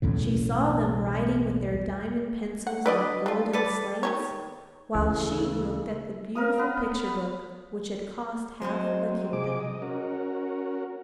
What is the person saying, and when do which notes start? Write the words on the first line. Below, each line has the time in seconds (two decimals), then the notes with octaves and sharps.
She saw them writing with their diamond pencils on golden slates, while she looked at the beautiful picture book which had cost half a kingdom.
0.02 B1 E2 A2 C#3
2.67 F#5
2.86 D3 B4 D5 D#5
3.26 A3 D4 F4
3.53 A4 B4 D5
4.03 D#3 G4 C#5
4.95 D2 C#3 E3 A4
6.35 A#4 F5 D#6
6.58 B3 B4
8.62 F#3 G#3 C4 D#4 C5
9.33 C3 G#4 D6
9.60 D#5
9.82 C#4 F#4 A#4